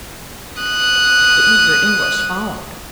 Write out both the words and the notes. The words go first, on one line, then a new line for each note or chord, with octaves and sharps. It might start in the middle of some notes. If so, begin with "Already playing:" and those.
The eager English followed.
D#6 F#6